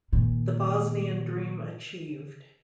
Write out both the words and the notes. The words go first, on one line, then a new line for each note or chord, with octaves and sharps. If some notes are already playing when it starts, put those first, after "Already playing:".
The Bosnian dream achieved.
A#2 D#3